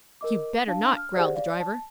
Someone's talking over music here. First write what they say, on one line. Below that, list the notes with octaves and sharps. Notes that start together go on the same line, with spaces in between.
"You'd better not," growled the driver.
A#4 D#5 D6
D4 F5 A5
F6
G4 G#4 C5 D5 F#5
D5 F5
A5